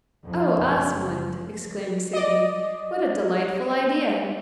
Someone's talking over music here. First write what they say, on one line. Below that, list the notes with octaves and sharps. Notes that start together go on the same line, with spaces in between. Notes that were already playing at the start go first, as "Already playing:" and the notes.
'Oh, Asmund!' exclaimed Signy, 'what a delightful idea!
F2
F#1
D5 D#5